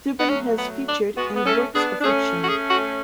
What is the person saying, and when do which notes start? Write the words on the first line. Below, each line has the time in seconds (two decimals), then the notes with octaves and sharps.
Thuban has featured in works of fiction.
0.19 B3
0.29 F#3 A3 C#4
0.58 B3
0.88 D4
1.16 G#3 B3 F#4
1.35 B3
1.46 A3 C#4 A4
1.74 B3 D4 G#4
2.00 D4
2.04 A3 C#4 G#4
2.44 F#4
2.48 G#4
2.70 F#4